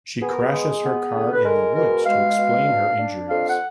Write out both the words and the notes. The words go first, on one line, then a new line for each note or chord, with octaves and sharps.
She crashes her car in the woods to explain her injuries.
B3 G#4
A#4
G#4
G#3
B3
D3
B4
G#3 A#4
B2 A#4
G#3 F5
B2
D4
D4
F2 F5
F#5